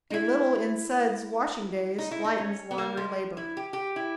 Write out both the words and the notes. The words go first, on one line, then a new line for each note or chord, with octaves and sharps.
A little in suds washing days lightens laundry labor.
D#4
E4
D#4
E4
D#4
C#4
B3
A#3
G#3
E4
G4
G4
E4